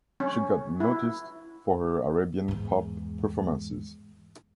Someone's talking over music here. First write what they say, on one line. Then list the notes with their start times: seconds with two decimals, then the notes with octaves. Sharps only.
She got noticed for her Arabian pop performances.
0.20 C#4
0.80 E4
2.48 E2 G#2